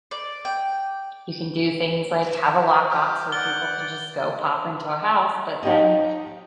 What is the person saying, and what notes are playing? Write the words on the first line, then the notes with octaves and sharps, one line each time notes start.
you can do things like have a lockbox where people can just go pop into a house, but then
D5
G5
G4 A#5 F6
D5 F#5 G6 G7
D#4 G4 D#5